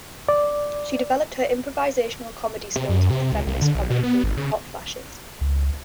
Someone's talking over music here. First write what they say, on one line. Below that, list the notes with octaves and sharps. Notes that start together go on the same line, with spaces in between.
She developed her improvisational comedy skills with the feminist comedy group Hot Flashes.
D5
C3
F#2
C3
C#2
C2
D3
B1
B2
B3
G#1
C#3
C#2